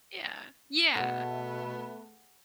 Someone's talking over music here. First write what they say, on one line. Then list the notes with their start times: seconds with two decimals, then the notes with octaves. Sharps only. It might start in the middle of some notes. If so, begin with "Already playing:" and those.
Yeah, yeah.
0.96 B2 A3 B3 G#4 F#5